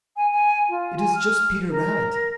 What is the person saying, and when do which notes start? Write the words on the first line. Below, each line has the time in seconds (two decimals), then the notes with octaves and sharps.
It is just Peter Rabbit.
0.16 G#5
0.31 G#5
0.69 F4
0.98 G#5
1.14 F6
1.69 A#4